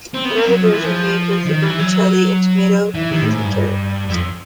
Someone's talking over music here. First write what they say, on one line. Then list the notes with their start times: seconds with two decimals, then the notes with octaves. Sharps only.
Another version made with Vermicelli and tomato, peas and carrot.
0.14 C4
0.25 B3
0.37 C4
0.47 F#3
0.63 F3
0.74 E3
0.84 F3
1.46 D#3
1.62 E3
1.79 F#3
2.95 E3
3.11 D#3
3.22 A2
3.32 G#2
3.44 G2
4.09 F2